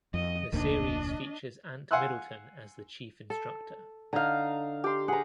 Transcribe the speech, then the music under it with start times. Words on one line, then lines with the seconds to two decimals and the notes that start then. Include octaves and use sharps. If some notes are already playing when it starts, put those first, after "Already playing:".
The series features Ant Middleton as the chief instructor.
0.14 F2 D#5
0.52 F1 D2 A#2 D4 D#5
1.91 F5 F#5 G#5 C6 E6 F#6
3.30 A4
4.13 D3 D#4 F5 A#5
4.84 G4 C6
5.08 G#4 B4 F#5 A#5